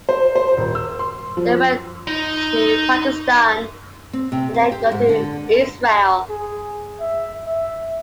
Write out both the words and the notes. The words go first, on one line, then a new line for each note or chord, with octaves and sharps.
They went to Pakistan and then on to Israel.
C5
C5
D#1
E6
C6
F3
D#4
C4
C3
C5
G4
G#2
D3
G#4
E5
E5